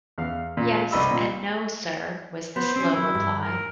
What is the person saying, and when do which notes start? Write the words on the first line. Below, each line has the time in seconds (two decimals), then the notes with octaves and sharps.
Yes, and no, sir, was the slow reply.
0.18 E2 F5
0.57 A#2
0.91 C2 D#5 B5 E6
1.11 A#2
2.56 B3 C5
2.76 C4 C#4
2.93 F3 F#3 E4
3.15 G2
3.42 A#4